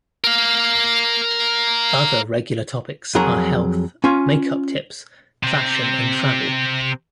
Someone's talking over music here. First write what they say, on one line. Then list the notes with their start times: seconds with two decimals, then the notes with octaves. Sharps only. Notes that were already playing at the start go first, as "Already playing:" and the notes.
Other regular topics are health, make-up tips, fashion, and travel.
0.24 A#4 F5
3.15 F2 F#3 G#4 A#4 A#5
4.04 C#4 F4 G#5
5.43 C3 C4